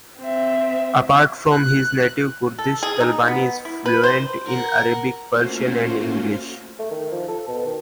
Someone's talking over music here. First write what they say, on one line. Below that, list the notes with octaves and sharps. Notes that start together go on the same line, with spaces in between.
Apart from his native Kurdish, Talabani is fluent in Arabic, Persian, and English.
C4 E5
F#6
A4
G#4
D#4
B3
E4
B4
C5
A#4 F#5
A3 A#3 C#4 F4 F#4 C5
A3
D#3
F3
A4
B2
D#3